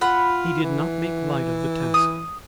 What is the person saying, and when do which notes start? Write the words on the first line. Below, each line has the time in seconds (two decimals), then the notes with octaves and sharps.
He did not make light of the task.
0.01 F4 F#5 B5
0.63 E3
1.94 D#6